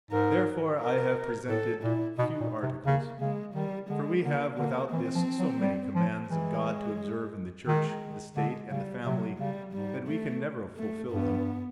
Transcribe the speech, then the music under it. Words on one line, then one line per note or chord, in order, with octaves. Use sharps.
Therefore I have presented few articles; for we have without this so many commands of God to observe in the Church, the state and the family that we can never fulfil them.
G#2 A#4
A#4
A2 A4
A#2 E4
B2 D#4
A#2
C3
C#3 A#3
C#3 G#3
D#3 G3
D3 G#3
D3 A#3
D3 A#3
E3 C4
F3
F#3
G3
F3
E3 G#3
D#3 G#3
D3 G#3
C#3 G3
C3 F#3
C#3 G3
G#2 G3
A3
A3
G2 B3